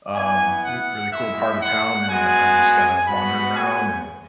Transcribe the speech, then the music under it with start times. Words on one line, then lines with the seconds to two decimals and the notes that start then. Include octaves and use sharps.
um, really cool part of town, and I'm just gonna wander around and,
0.15 B3 E4 G#5
0.63 F#5
1.12 G#3 E4 E5
1.61 F#5
2.09 G#3 B3 F#4 G#5
3.06 G#3 B3 F#4 B5
3.55 G#5